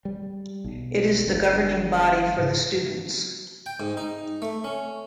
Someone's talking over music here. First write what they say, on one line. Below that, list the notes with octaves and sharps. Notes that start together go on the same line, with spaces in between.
It is the governing body for the students.
G3
B1
G1 G3 D4
G#2 C#3
G5
G#2
D#4
A3
C#4